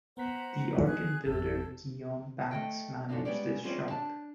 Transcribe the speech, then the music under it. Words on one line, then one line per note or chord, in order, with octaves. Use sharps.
The organ builder Guillaume Bax managed this shop.
B3 C5 F#5 A#5 B6
G#4 F#6
G#1 F2 A4
A3 D#5 G5
F#2 D3 F3 G3 D4 D#4
G3 G#3 B3 C#4 G4 D5
E3 G3 C4 C#4 F4 G#4
D4 A5